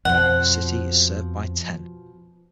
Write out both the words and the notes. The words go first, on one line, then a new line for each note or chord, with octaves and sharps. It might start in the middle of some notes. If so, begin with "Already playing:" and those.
The city is served by Ten.
F2 B2 F3 F#5